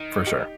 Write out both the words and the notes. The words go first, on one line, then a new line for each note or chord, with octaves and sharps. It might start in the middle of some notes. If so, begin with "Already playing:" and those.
For sure.
Already playing: D#3
D#4 G4